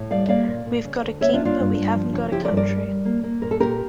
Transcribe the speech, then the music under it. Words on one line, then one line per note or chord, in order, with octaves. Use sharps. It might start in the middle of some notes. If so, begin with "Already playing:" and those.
We've got a King, but we haven't got a country.
Already playing: A2
G3 D5 F5
A#3 D5 F5
A#2
A#2
C#3
D2
A#3 C#5 E5
D4 F4
A#3
D4 F4
G2
G2
F3
C#3
F3 E4 G4
A#4 D5
G2
A#4 D5
G3
G3
A#3
A#3
A#2 A#4
A4
A#2 G4 A#4